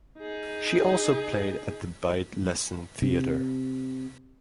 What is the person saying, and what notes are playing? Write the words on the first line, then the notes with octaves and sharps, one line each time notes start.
She also played at the Beit Lessin Theater.
D#4 G#4
C3